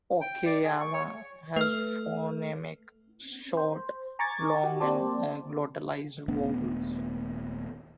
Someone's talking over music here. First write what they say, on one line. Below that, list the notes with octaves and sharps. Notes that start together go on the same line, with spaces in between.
Oowekyala has phonemic short, long, and glottalized vowels.
G5
D5
G#4
C#6
C#5
A3 B4 F6
C5
G#5 A#5 C#6 D6 G#6 A6
F#4 G4
A#3 C4 G4 C5 D5 A5
D#1 A3 B3 D4